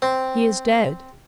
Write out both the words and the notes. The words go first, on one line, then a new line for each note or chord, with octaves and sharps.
"He is dead."
C4